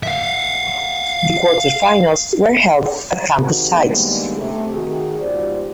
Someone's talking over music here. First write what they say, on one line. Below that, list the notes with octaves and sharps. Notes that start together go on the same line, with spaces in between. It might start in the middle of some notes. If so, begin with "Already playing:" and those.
The quarterfinals were held at campus sites.
E5 F5
C3 D#3 F#4 G#4 A#4 C5
D3 D#3 G3 G#3 A#3 B3
C3 A3
D#3 F#4 G#4
G#2 F3 B3 G4 C5 D5